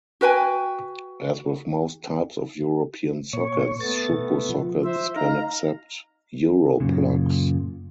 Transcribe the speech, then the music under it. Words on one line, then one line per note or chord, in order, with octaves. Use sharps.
As with most types of European sockets, Schuko sockets can accept Europlugs.
F#4 B4 G5 G#5
A#2 C#5 C#6
A3 B3 A6
B2
F3
C5 E5
D#4 F5 A#5
F#2 A#2 C#3